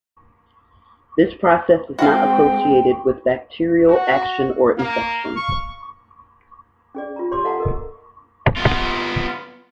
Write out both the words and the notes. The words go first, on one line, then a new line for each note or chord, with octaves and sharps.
This process is not associated with bacterial action or infection.
G#3 C4 F#4 F5 G5
F#4
A#3 F5
C#6
C#4 G#4 D5
F4 A#5
G4 C#5 C6 D6
A4 D#5 F5 F#5 A5 A#5
A4 A#4 D#5
B3 F4